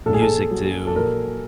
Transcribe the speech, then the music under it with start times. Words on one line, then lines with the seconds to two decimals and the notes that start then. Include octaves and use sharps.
music to
0.06 A#1 A4
0.14 G#4
0.21 A4
0.51 F#3
0.87 A4
0.96 A#1 A#4